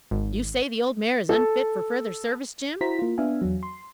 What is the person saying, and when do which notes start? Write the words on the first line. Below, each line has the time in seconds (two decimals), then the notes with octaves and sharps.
"You say the old mare is unfit for further service, Jim?"
0.11 G#1
1.29 A4
2.81 E4 F#4 C5 A#5 B6
2.99 A#3 F4
3.18 B3 D4 E5 F5 G#5
3.42 E2 F#3
3.63 C6